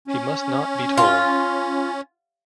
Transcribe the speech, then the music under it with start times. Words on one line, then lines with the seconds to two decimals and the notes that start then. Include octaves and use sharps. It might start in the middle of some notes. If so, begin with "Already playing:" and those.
He must not be told.
0.08 C#4
0.98 F4